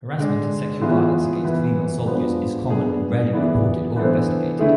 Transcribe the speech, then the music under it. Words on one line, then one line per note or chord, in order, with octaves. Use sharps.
Harassment and sexual violence against female soldiers is common and rarely reported or investigated.
D3 G#3 D4
E3 B3 F4 G#4 B4
E3 B3 E4 B4
F3 G#3 B3 D4
B3 D4 G#4
E3 B3 E4 G#4 D5
E3 B3 D4 A4 C5
D3 A3 E4 G#4